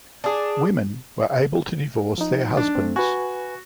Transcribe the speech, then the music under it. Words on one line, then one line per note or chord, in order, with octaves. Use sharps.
Women were able to divorce their husbands.
D4 G#4
F3 D#4
D4
A3 C4
F#4 B4 G#5